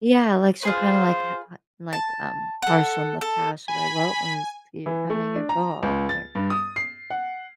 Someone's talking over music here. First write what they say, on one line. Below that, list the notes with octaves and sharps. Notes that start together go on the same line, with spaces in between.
Yeah, like, she'll kinda, like ha ha like, um, partial in the past, she'll be like, "Well, mm, skit kinda your fault," or
F4 G#4 B4 C5
A5
A4 F#5
A4
G#5 B5
E3
A3
D4
A#5
C#2
A6
G2
D#6
C7
F#5